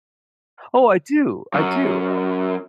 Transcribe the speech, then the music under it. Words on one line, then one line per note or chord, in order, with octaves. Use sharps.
Oh, I do, I do, uh
F#2